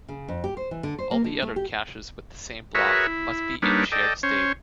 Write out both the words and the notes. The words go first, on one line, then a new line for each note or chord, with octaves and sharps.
All the other caches with the same block must be in shared state.
C#3
F2
G4
C5
E3
D3
C5
A#3
D3
A3
G4
F#4 G#4 A#4 B4 C#5 E5
E4
G3 A#3 D4 D#4 B4 C#5
A4 D5 D#5 G5
C#4 C5 C#5